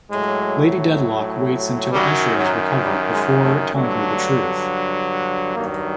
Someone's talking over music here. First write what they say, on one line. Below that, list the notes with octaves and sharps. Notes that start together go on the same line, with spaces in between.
Lady Dedlock waits until Esther has recovered before telling her the truth.
A2 F#3 G#3
F#2 D#3 F#3 G3
F#3
G3
G#3
A3
G2 D3 F#3 A3
G2 D#3 F#3 A#3